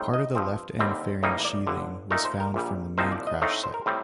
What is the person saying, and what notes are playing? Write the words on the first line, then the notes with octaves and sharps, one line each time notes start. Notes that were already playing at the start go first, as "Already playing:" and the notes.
Part of the left end fairing sheathing was found from the main crash site.
Already playing: A2 G3 C4 D#4
D#5
G2 F3 C4
D#2 D3 G3 C4
A1 A2 G3 A#3 D#4 D#5
D5
G1 G2 D3
A#2 A3 D#4 A#4
C5
A#4
A#1 A#2 G3
C2 A#2 F3 C4 D#4 C5
D5
D#5
A2 A3 C4 D#4 F5
C5
A#4
A2 G3 C4